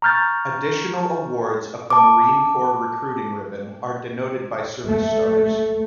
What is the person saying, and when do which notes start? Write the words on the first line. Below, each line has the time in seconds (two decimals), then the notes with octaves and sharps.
Additional awards of the Marine Corps Recruiting Ribbon are denoted by service stars.
0.02 A#5 C#6 F6 G6 A6
1.90 A5 D6
4.86 A3